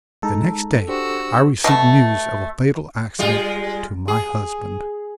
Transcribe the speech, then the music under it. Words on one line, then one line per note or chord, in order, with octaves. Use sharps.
The next day I received news of a fatal accident to my husband.
G#3 D#4 A4 A#5
D4 F#4 G4 C5 E6
B2 A3
G3 G#3 F4
G#4